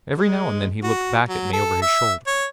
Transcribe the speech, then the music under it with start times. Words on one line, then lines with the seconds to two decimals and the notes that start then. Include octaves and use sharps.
Every now and then he looked back at me over his shoulder.
0.17 G#3
0.83 F#4
1.28 F#3
1.53 A4
1.82 E5
2.27 C#5